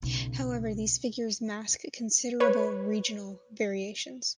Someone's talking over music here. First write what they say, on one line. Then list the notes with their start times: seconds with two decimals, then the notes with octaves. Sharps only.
However, these figures mask considerable regional variations.
0.03 B1 C#3
2.40 B4 C#5